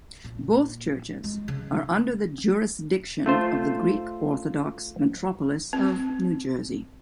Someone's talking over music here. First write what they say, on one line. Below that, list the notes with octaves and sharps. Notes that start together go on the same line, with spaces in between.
Both churches are under the jurisdiction of the Greek Orthodox Metropolis of New Jersey.
A#2
G#3
C#3
A3 F4 C5
C4